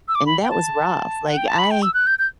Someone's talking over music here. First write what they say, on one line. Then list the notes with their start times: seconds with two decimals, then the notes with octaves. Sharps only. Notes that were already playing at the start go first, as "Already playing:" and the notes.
and that was rough, like, I
0.08 E6
0.15 D6
0.26 B5
0.43 G5
0.50 A5
1.28 F#5
1.37 G5
1.47 A5
1.58 B5
1.71 G5
1.82 E6
1.94 F#6
2.07 G6
2.19 G6